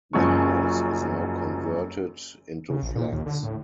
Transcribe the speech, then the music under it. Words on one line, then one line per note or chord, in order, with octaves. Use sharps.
The house is now converted into flats.
F#1 F#2 F3 C#4 C#6
C#3
A#1
A#2
D#2
D3
A2